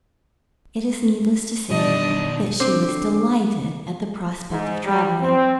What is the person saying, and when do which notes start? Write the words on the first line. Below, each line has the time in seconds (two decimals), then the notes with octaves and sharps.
It is needless to say that she was delighted at the prospect of traveling.
1.70 B2 D#3 G3 D4 D#5
2.60 D3 C4 D6
4.50 G#2
4.85 G3
5.21 C4